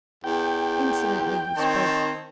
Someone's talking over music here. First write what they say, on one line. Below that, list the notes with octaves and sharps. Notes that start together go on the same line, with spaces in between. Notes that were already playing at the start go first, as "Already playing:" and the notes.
Insolently he spoke.
E2 G5
D#3 C4 C#5 A5